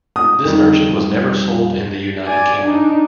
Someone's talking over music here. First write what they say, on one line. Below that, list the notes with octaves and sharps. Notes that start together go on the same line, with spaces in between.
This version was never sold in the United Kingdom.
D#6
F2 D#3 G3
D5 G#5
D4 D#4